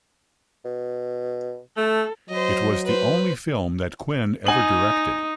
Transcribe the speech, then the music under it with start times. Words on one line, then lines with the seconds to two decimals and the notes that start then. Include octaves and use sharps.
It was the only film that Quinn ever directed.
0.65 B2
1.77 A3 A4
2.29 F#3 C5 D#5
2.85 B4 C5
4.47 D#4 G#5 F#7